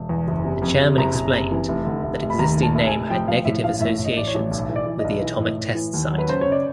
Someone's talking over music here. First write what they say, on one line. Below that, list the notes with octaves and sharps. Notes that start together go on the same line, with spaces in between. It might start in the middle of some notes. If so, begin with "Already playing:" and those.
The Chairman explained that existing name had negative associations with the atomic test-site.
Already playing: E1
E2
F#1
C3
F2
C3
F#1 A#5
F#1
C3
E3
F1
D3
F1
F1
B5
D#2 A#5
F1
A5
F1
G#5
F1
F3 G5
F3 F5
A2 E5
A1 F5
A2 E5
A2
D#5
A1 D5
C#5
A1
B1
E3
D5
E3
D#5
B1
E3
A2
A2
E3
D#2
F#3
B4
C#3 C5
C#3 C#5
D5